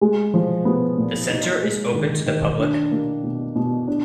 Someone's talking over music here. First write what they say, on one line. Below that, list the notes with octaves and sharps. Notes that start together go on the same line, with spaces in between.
The center is open to the public.
G#3
F3
B3
A#2
D#4
G#3
D#3
D#3
D4
A#3
B2
B2
D4